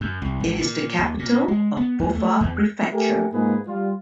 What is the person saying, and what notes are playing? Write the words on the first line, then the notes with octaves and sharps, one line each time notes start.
It is the capital of Boffa Prefecture.
F#2
C2
G#1
A#2
D#2
A#2
G#3
B3
D#2
A3
E2
A3 G4 A4 A#4 G#5
G#2 A#3 F4 G#4 B4
G3 F4